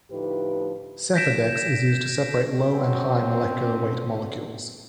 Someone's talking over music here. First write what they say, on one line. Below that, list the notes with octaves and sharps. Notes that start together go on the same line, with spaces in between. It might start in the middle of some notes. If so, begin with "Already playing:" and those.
Sephadex is used to separate low and high molecular weight molecules.
D2 A2 F3 D#4 G4 B4
G6 G#6 A#6 B6 D7 E7
B2 F#3 C4 C#4
D3